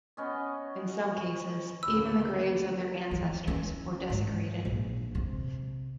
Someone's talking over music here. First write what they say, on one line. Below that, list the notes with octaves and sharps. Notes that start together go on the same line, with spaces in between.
In some cases, even the graves of their ancestors were desecrated.
B3 C#4 D#5
D2 C#3 A#3 B4 E6
E3
C#4
G#2
A#1
C3